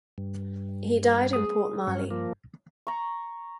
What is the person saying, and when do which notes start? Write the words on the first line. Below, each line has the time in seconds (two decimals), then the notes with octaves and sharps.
He died in Port-Marly.
0.18 G2
1.33 G#4 D#6
1.87 G2 C#4
2.11 F3 A#3
2.87 A#5 C#6